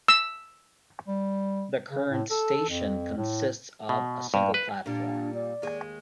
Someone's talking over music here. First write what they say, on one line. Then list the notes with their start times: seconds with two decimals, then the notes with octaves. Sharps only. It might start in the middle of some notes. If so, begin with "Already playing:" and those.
The current station consists of a single platform.
0.08 E6
1.07 G3
1.90 C#3
2.09 A2
2.30 A4
2.69 F2
3.17 A2
3.89 B2
4.34 G2
4.54 B4
4.86 A#2 G3 D4
5.34 D5
5.62 D#2 G#3